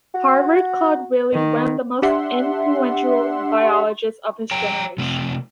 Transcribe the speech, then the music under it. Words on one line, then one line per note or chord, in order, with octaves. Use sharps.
Harvard called Wiley one of the most influential biologists of his generation.
F#4
D#3
D4 G4 E5 F#5 C6
C#5 G5 A#5
C3 A3 C4